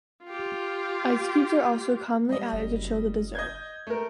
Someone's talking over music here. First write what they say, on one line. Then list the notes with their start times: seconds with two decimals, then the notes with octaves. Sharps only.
Ice cubes are also commonly added to chill the dessert.
0.24 F4 G4
2.29 G3 D#5
2.53 F#1
3.35 D#5 G6 G#6
3.87 A3 A#4